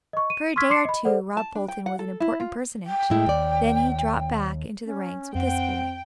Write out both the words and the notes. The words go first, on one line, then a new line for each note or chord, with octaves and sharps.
For a day or two Rob Fulton was an important personage, then he dropped back into the ranks with his schoolmates.
D#5 C#6
D#7
C6 C#6 E6 F6 G#6 B6
C6 D6 C7 C#7
D#5 B5
A4 C5 D5 F#5
A5
D4
G5
F#5
A4
E4
F4
G5
A2 G#3 E4
D#2 D5
C#4
F2 C4 F#5 G5